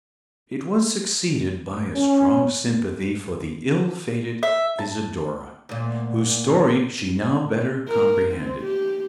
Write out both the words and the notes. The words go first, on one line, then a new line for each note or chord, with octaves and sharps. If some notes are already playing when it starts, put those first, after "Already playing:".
It was succeeded by a strong sympathy for the ill-fated Isidora; whose story she now better comprehended.
C#4
E5
A5
D2 A#2
A#4
C4
G4